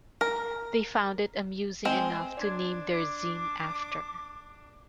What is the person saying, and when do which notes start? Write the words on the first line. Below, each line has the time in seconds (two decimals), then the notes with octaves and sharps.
They found it amusing enough to name their zine after.
0.21 A#4
1.85 G#3 C4
2.37 D4 D5 C6 G#6
2.93 D6